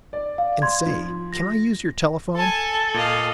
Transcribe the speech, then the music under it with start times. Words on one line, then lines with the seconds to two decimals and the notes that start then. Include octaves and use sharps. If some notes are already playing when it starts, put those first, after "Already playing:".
'And say, can I use your telephone?'
0.13 D5
0.38 F5
0.62 C6 G#6
0.86 F3
1.33 A#6
2.36 A4 G#5 A5
2.94 A#2 D#5 F5